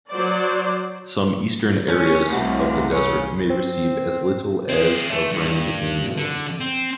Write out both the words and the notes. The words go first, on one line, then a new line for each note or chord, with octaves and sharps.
Some eastern areas of the desert may receive as little as of rain annually.
F#3 C5 D5
C#4
C2 A2 F#4
G#4 C#5
C4
C4 G#4
A3
G2
D3
C4